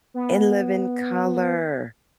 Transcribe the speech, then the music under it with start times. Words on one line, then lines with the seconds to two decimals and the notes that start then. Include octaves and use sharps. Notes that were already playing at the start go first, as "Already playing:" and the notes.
In Living Color.
0.14 B3